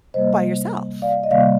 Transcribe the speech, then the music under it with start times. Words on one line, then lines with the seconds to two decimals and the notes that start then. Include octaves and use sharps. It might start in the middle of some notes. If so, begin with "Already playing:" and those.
by yourself,
0.14 C3 G3 A#3 C5 D#5
1.02 D5 F5
1.24 D#5
1.30 C3 D#3 G3 A#3 D5 F5